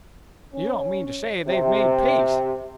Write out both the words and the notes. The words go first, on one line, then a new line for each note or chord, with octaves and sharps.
"You don't mean to say they've made peace?"
C#4
C3